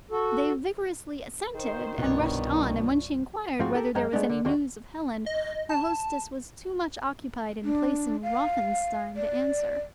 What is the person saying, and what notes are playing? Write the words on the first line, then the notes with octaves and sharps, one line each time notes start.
They vigorously assented, and rushed on, and when she inquired whether there was any news of Helen, her hostess was too much occupied in placing Rothenstein to answer.
F#4 A4
D#3 C5
C2 G2 B2 F3 D4 C#5
G#2 F3 C4 F4 F#4
G4 A4 A#4
F#2 G#3 G5 A#5
G#3 A3 B3 D4
D3
D#2 D3 F#4 C6
D#5
A5
D4
F5
D5